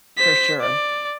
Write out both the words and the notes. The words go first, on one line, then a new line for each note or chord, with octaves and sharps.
for sure.
C5 B6
D5